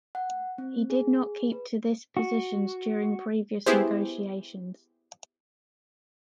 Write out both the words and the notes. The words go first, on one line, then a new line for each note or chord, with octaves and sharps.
He did not keep to this positions during previous negotiations.
F#5
C4
G#4
B4
F#4
B3 E4 G4 G#4 C5